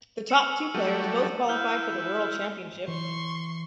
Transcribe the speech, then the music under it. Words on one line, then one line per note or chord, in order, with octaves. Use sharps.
The top two players both qualified for the World Championship.
E6 C#7 E7
F#3 G3 A3 D#7
E4 F6 G6
E3 C6 C#6